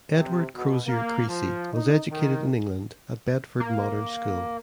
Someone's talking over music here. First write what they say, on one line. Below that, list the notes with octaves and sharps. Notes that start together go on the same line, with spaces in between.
Edward Crozier Creasy was educated in England at Bedford Modern School.
C3
B2
A#3
F3
D#4
D#3
A#3